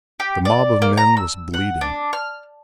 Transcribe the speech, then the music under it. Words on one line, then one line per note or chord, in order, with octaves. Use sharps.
The mob of men was bleeding.
G4
D5
A#3
A#5
E6
F#5
D4
F6